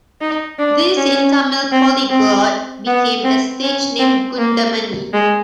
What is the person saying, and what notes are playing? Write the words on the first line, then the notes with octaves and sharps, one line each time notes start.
This in Tamil polyglot became as stage name "Goundamani".
D#4
D4
C#4
C4
C4
B3
C4
C#4
C4
A#3
G#3